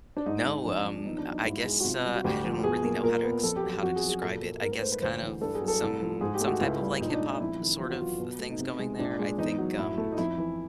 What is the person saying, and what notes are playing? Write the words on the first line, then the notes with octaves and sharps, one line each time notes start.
No, um, I I guess, uh, I don't really know how to ex how to describe it. I guess kind of some some type of, like, hip-hop sort of a things going there, I think, um,
D4
G#2 D#4
G#3
F2 D4
F3
E2 D#4
D4
F#3
D#4
G#2 E4
G#3
F#4
C3 F4
G3
F#4
D2 G4
F3
B2 G#4
A#3
A#2 A#4
B3
F2 A4
G4
F#3
G4
F2 F#4
G#4
F#3
G#4
A#2 A4
A#3
G#2 A#4
B4
A3 C5
B4
D2 C5
E3
G2 A4
G#4
F#3
A4
C2
F3
G#2 G#4
G4
A3
F#4
C#2 E4
G3
A#2 D#4
D4
D#4
G#3
D#4
F2 E4
D#3
E2 F4
F#4
F#3 F4
B2
A3
D#4
C3
G#3
A#2 D4
G#3
E2 D#4
F#3
A2 E4
A3
D#4
F2 E4
E3